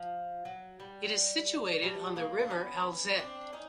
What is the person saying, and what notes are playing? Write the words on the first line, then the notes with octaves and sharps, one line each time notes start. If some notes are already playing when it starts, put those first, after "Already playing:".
It is situated on the river Alzette.
Already playing: F3
F#3
G3
G3 A3
G#3 A#3
D4
B3 C#4
C4 D4
C#4 D#4